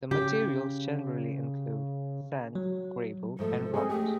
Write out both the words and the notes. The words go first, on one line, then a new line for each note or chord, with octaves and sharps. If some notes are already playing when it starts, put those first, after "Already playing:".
The materials generally include: sand, gravel, and rocks.
C#3 G4
F#3
G#2 F3 A3 A4
G#3 C4 G#4 A4 D#5
A3 G4